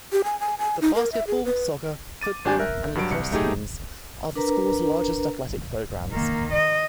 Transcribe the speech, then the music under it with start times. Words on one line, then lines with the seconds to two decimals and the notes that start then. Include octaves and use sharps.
The basketball, soccer, football, and lacrosse teams are the school's largest athletic programs.
0.12 G4
0.24 G#5
0.40 G#5
0.58 G#5
0.81 D#4
0.95 A#4
1.12 E5
1.27 G#4
1.45 B4
2.21 D6 A6 D#7
2.45 G#1 D4 G4 G#5 G6
2.59 A#4 E5 F#6
2.95 G2 F#3 D7
3.11 C2 C#7
3.31 F#3 A3 D#4 G4 G#4
4.35 D4 A#4 B4 A#5
6.12 D#3 A#3
6.52 D#5